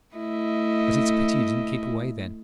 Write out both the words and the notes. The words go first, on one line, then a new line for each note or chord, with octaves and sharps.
But it's a pity you didn't keep away, then.
A3 E4 D#5